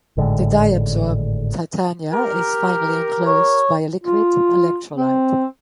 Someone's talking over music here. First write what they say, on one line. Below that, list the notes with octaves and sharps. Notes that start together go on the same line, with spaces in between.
The dye-absorbed titania is finally enclosed by a liquid electrolyte.
G#1 A2 D3 G#3
G4 A#4
C#5
F4
C4